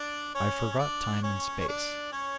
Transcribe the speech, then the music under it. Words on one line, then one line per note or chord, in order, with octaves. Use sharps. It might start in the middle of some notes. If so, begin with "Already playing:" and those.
I forgot time and space.
Already playing: D4 D5
C#4 C#5
C#5
D4 D5
C#4 C#5
C#5
D4 D5
C#4 C#5